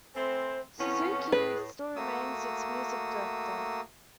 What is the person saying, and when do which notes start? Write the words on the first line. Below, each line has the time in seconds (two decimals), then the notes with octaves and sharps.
Suzuki still remains its music director.
0.15 E3 A3 C4 C5
0.78 F2 B3 C#4 E4
1.32 A2 G#4 B4
1.96 A3 A#3 F#4 D#6 E6